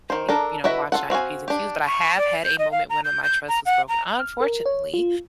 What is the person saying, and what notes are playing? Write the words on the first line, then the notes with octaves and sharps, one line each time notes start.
you you know, watching out your Ps and Qs. But I have had a moment when m my trust was broken, unfortunately,
D#3 C5
D4 A4 A#4
E4 F#4 B4 D#5 E5
F4 A4 F#5
C4 F#4 F5 G#5
D4 G4
C#6
D5
G6
D#5
F5
A#5
G6
G6
A#5
F#5
A#5
F6
A#4
C#5
F4